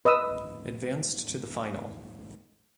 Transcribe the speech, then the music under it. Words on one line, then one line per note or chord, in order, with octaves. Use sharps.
Advanced to the Final.
B4 D#5 D#6 E6